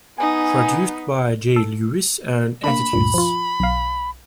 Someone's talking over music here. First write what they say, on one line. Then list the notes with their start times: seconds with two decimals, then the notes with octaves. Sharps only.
Produced by Jay Lewis and Attitudes.
0.18 B3 D#4 G#5
1.56 A4
2.64 A#3 D4 B5
2.93 D2 G2 A#2
3.14 F3 F4
3.60 B1 F5